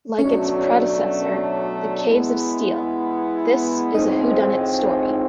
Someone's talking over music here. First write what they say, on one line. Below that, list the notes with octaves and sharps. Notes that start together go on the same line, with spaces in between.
Like its predecessor, "The Caves of Steel", this is a whodunit story.
B2 F#3 A3 C#4 D4 F#4 C#5
G#3 B3 E4
A2 F3 G#3 C4 D#4 D#5